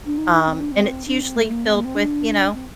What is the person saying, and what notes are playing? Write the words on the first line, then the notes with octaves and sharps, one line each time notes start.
um, and it's usually filled with, you know,
D4
D#4
C4
D4
C4
D4
C4
A3
A#3
C4
A#3
C4
D4
C4